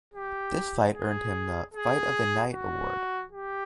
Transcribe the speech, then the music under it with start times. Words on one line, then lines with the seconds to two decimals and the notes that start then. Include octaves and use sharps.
This fight earned him the "Fight of the Night" award.
0.14 G4
0.94 G#4
1.74 G#4
2.53 F#4
3.32 G4